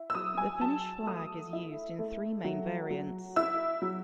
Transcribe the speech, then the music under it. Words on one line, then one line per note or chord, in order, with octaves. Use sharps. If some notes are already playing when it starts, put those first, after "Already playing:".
The Finnish flag is used in three main variants.
Already playing: E4
E6
F#3 D#6
G#5
F#3 A5
A3 D#6
E4
A3
F#3
F#3
E4 E6
F#3